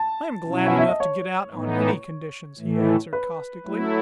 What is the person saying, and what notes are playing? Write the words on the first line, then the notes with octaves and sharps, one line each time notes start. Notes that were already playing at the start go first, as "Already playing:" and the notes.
"I am glad enough to get out on any conditions," he answered caustically.
Already playing: A5
B2 F#3 C#4 E4
F#5
E5
D#5
C#5
A2 E3 B3 D#4
A2 E3 A3
B4
F#3 A3 E4